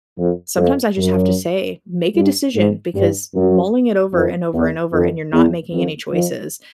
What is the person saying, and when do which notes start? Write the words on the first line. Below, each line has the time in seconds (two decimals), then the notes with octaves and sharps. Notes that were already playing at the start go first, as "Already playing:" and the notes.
sometimes I just have to say, "Make a decision," because mulling it over, and over, and over, and you're not making any choices,
0.17 F2
0.57 F2
0.97 F#2
2.16 G2
2.56 G#2
2.95 G2
3.35 F#2
4.13 F2
4.53 E2
4.93 F2
5.32 E2
5.72 F2
6.11 F2